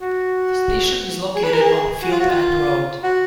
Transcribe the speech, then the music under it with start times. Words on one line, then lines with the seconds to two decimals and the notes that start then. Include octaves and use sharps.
The station is located on Field End Road.
0.01 F#4
1.36 G#4
1.44 B4
1.53 A#4
1.61 G#4
2.02 F#4
2.12 F4
2.20 F#4
2.29 F4
3.03 F#4